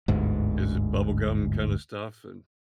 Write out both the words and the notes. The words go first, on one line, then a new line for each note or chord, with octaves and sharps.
Is it bubblegum kind of stuff? And
G1 D2 G#2